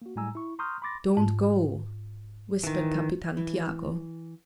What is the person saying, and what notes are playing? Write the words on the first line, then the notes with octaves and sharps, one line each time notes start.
"Don't go!" whispered Capitan Tiago.
A#3 F#4
A2 G3 G#3 G#5 A#5 E6
E4 C#6
A#5 C6 C#6 D#6 F6 G6
B5 C6 D6 A6 A#6
G#2
D#3 E3
E3